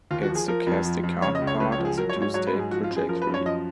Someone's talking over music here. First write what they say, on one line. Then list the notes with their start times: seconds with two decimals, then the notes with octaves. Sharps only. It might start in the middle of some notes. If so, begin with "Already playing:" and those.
Its stochastic counterpart is a two-state trajectory.
0.11 D#2 F4
0.23 F#4
0.29 F3
0.35 G#4
0.48 F3 A#4
0.67 F2
0.85 F3
1.03 F2
1.22 C#3 C#5
1.35 D#5
1.41 C#2
1.47 C#5
1.60 C#2 B4
1.72 C#5
1.78 F3
1.85 G#4
1.97 F#3 A#4
2.09 C#5
2.16 G#2
2.22 C#5
2.34 F#3 C#5
2.47 B4
2.53 G#2
2.59 G#4
2.71 F3 F#4
2.84 F4
2.90 F#2
2.97 G#4
3.09 F3 A#4
3.22 B4
3.27 F#2
3.34 C#5
3.46 F3 D#5